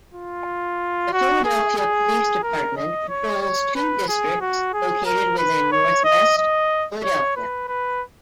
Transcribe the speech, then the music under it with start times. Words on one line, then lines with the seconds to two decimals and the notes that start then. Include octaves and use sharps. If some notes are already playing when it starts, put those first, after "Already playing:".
The Philadelphia Police Department patrols two districts located within Northwest Philadelphia.
0.14 F4
1.13 F#4
1.44 G#4
1.78 G#4
2.43 A#4
2.77 D#5
3.09 C#5
3.41 C#5
3.75 B4
4.08 G#4
4.41 F#4
4.73 G#4
5.05 A#4
5.38 B4
5.72 C#5
6.04 D#5
6.37 D#5
7.03 C#5
7.36 B4
7.68 B4